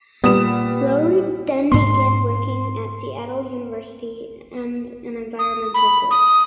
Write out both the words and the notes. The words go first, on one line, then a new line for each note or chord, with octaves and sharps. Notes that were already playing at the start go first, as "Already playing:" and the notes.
Lowry then began working at Seattle University and an environmental group.
A#2 G3 B3 D#6 E7
G#2 B3 C6
D#6
B5
D#6